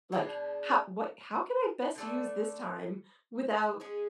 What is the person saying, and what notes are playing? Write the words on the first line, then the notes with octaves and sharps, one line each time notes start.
like, "How what how can I best use this time without"
B2 G#3 D4
D3 A3 D4 A4
G#3 C#4 G#4